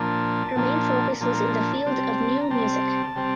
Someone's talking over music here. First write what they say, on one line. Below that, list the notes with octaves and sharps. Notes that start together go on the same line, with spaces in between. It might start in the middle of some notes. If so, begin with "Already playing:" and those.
Her main focus was in the field of Neue Musik.
Already playing: A#2 F3 A#3 D4 A5
A#2 F3 A#3 D4
A#2 F3 A#3 D4 A5
A#5
A5
C3 G3 C4
A#5
C3 G3 C4 A5
C3 G3 C4